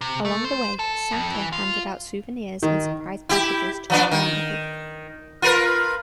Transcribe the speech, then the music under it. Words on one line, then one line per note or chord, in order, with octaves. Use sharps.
Along the way, Santa handed out souvenirs and surprise packages to the community.
C3
A3
C5
A4
F2
E3
F4
D#3
E4 G4
F3 B3 D4
D#3
F4 A#4 B4